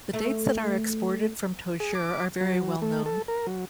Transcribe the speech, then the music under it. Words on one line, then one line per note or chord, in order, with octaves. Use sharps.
The dates that are exported from Tozeur are very well known.
A3
G#4
D6
F#3
A3
A4
A#4
F#3